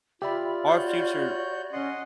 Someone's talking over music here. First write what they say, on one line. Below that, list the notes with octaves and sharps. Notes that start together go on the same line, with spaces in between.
Our future
F4 G4 D5 E5 B5
F#4 C#5 G6
C#4 D#5 F#5 C6